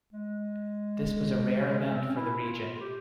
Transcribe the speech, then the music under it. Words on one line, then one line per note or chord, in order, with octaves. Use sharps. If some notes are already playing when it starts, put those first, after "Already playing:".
This was a rare event for the region.
G#3
G3
G#3
C#4
C4
C#4
E4
F4
F4
G4